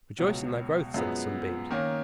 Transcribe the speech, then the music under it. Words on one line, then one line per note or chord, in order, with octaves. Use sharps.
"Rejoice in thy growth!" said the Sunbeams.
C#2 B2 F#3
F#2 F3 G#3 B3
D#3 A#3 C#4